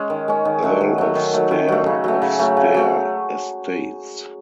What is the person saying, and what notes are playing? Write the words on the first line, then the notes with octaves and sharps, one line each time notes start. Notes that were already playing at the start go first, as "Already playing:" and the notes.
Earl of Stair of Stair Estates.
Already playing: G#3 C#4
D#3
G#3 C#4
D#3
F#3 A3
D#3
F#3 A3
D#3
F#3 A3
D#3
F#3 A3
C#3
F#3 A3
C#3
F#3 A3
C#3
F#3 A3